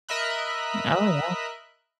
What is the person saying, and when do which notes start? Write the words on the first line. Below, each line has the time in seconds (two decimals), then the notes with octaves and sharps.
Oh, yeah.
0.09 A#4 D#5 E5 B5 F#6